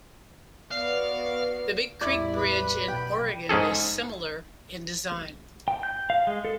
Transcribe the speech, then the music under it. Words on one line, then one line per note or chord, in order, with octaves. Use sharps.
The Big Creek Bridge in Oregon is similar in design.
B3 F#4 D5 F5
E2 A2 G3 E4 D5
B4 B5
F#2 B2 F#3 G5
G#2 C#4 G#4 A4
G5
G6
F5
G#3
A4